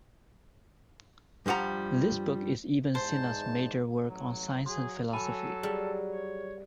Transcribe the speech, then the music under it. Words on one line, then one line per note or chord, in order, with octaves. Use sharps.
This book is Ibn Sina's major work on science and philosophy.
G2 F3 G3 F#5 A#5
E2 G#2 C5 A5
A1 F#3
F#3 G#4 C6
F#3 A4 G#5 B5 D#7
G3 G#4
C#5